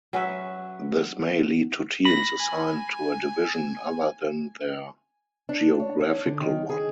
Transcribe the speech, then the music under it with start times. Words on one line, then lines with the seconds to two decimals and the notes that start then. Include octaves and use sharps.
This may lead to teams assigned to a division other than their geographical one.
0.13 F#3 C#4 B4 E5
2.05 B5 A#6
2.40 G#5
5.49 D4
5.79 C#5
6.01 C#5
6.26 D3
6.41 D#3
6.69 G#4